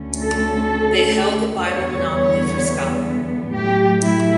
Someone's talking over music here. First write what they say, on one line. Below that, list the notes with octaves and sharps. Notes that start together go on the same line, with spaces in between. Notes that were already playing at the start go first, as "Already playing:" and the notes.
They held the Bible monopoly for Scotland.
Already playing: D2 D3 A3 C#4
A4
E2 D3 G3 B3 C#5
C#5
A2 F#3 A3 G4
E4